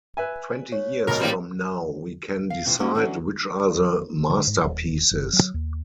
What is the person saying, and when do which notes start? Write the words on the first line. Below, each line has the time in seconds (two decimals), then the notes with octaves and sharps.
Twenty years from now we can decide which are the masterpieces.
0.17 B4 E5 G#5
0.72 C#5
1.07 G#1 B2 A#4 B5
1.20 A2 E3 G3 A#3 C4
2.50 F5
2.65 G2 C3 E3 F4 C5
2.79 G3 A#3 C#4 F#4 G4 A4
2.95 E3 F#3 C#4 D4 F#4
4.30 D3
4.47 G#2
4.62 D#1
5.11 F#1
5.33 F#3
5.54 D#2